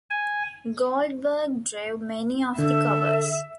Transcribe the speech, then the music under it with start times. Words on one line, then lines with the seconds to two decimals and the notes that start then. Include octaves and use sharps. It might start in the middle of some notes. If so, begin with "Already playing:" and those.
Goldberg drew many of the covers.
0.10 G#5
2.58 D3 A4 E5